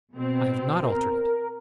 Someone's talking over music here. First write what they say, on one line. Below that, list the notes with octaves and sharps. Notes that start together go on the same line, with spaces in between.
"I have not altered it."
B2 C4
A#4